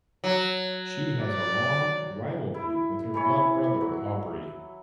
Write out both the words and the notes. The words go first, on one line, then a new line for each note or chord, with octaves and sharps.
She has a long rivalry with her blood-brother, Aubrey.
F#3
D5
E4
E3 E4 C#5
F#3